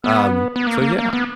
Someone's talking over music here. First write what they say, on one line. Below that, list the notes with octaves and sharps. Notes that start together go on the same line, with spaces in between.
Um so yeah,
B3
B3
A#3
A#3
A#3
B3